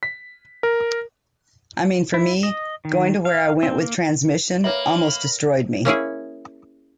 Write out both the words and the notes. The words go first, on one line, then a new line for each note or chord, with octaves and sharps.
I mean for me, going to where I went with Transmission, almost destroyed me.
B6
A#4
E4
D#5
D#3
F5
C4
A#3
A#3 B4 C#5 E5 B5
A#3 C#4 E4 G#4